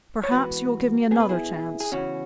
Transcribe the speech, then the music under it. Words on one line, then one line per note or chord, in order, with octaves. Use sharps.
"Perhaps you will give me another chance?"
C#5
G#2 E3 B3 F#4 B4
B2 B3 G#4
B4
E4 G#4
G#4
E2 C#3 E3 C#4 F#4